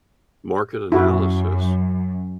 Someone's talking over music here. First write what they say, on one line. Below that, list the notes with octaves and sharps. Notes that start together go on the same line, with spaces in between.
market analysis
F#2 E4 F#4